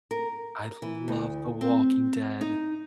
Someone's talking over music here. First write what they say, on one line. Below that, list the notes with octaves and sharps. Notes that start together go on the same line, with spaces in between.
I love The Walking Dead.
A#4
E3
D2
C4
D#4